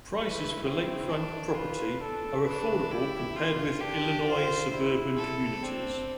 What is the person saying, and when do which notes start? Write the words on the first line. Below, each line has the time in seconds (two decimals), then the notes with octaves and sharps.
Prices for lakefront property are affordable compared with Illinois suburban communities.
0.18 E4 B4
0.64 C4
1.09 D4
1.54 F4 B4
2.00 D4 A4
2.45 D4 B4
2.90 E4 G4
3.36 F4
3.80 D4 G4
4.26 F4 C5
4.71 E4
5.17 A4
5.62 C4 D4